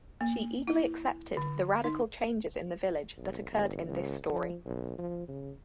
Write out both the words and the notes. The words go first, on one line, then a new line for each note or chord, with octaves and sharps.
She eagerly accepted the radical changes in the village that occurred in this story.
A#3
E4
D3
D#4
B1
G1
C#2
F3
B1
F3
C#3